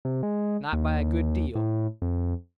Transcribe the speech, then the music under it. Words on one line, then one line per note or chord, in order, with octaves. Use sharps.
Not by a good deal.
C3
G#3
D#2
A2
F2